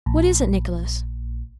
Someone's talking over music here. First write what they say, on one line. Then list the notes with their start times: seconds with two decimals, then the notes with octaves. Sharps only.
"What is it, Nicholas?"
0.06 A#1